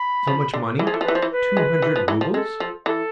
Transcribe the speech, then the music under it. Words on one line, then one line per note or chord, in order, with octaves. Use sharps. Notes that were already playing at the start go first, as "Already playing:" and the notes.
So much money--two hundred roubles!
Already playing: B5
F3
D3
E3
F3 G#4
E3 A4
F3
E3 B4
F3 C5
E3
B4
G#3
E3
F3
E3
F3
G#3 A4
F3
E3 A4